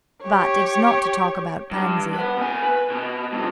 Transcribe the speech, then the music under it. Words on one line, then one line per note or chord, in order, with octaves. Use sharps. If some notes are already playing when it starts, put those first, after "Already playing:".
"But it's not to talk about Pansy."
G4 C#5
G2
B4 F#5
B2 G#5
B4
B2
G2 F3